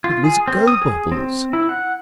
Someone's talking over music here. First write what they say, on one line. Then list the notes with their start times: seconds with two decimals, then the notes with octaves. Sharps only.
"It was Gobobbles."
0.04 F4
0.24 G#4
0.48 C4
0.67 D#6
0.82 G#4
1.12 C4
1.53 E4
1.69 F#5